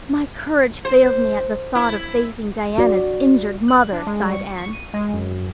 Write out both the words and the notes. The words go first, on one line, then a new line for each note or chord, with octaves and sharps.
"My courage fails me at the thought of facing Diana's injured mother," sighed Anne.
C5
E4
F#4 D5
F#6
D4
G#3
G3
C#6
C#6
D#7
G#3
F#2